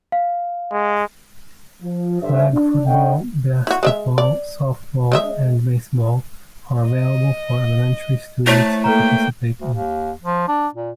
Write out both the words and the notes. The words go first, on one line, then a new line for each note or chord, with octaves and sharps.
Flag football, basketball, softball, and baseball are available for elementary students to participate in.
F5
G#3
F3
G2 D3 C5 E5
D4
C#4 D4 A4 D#5 F#5 G5
E4 F#4
G#3 D5 E5
D5
G#3 D#5 E5
D#5
A3 E4 C5 C#5 A5
A#3 A4 B4 G5 A#5
D2
D#2
F3
D4
A#2